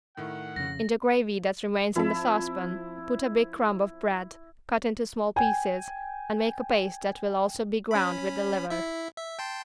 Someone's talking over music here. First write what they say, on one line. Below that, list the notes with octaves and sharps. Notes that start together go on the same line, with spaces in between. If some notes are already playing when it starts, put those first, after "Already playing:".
In the gravy that remains in the saucepan put a big crumb of bread, cut into small pieces and make a paste that will also be ground with the liver.
A2 D#3 F#5
F2 C#3 A#6
F3 C4 E4 E5 A5
G5 G#5
C#4 B5
E4 E5
E5
G5 A5 C6